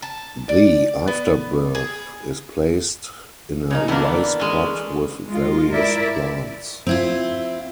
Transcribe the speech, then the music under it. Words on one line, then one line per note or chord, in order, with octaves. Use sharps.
The afterbirth is placed in a rice-pot with various plants.
A5
D5
B3
G#4
C#3 A#3 D#4
D3 E3 A#3 B3 D4
G#3 C#4
G#3 F4
E4 A#4 D5 E5
C4 E4 F4